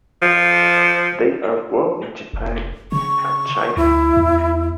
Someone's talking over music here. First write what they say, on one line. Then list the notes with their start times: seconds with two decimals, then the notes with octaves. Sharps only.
They are grown in Japan and China.
0.22 F3
2.33 F1
2.92 C#3 C#6
3.77 D2 E4
4.17 E2